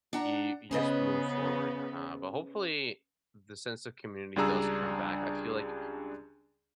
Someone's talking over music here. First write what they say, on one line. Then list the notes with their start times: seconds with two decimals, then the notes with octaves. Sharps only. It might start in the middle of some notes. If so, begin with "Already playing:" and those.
you you just move forward, uh, but hopefully, the sense of community does come back, I feel like
0.13 D4 F#5 A#5
0.71 C#3 B3 C#4 G#4 B4 C5 D#5
4.36 C#2 G3 D4 G#4 A#5 E6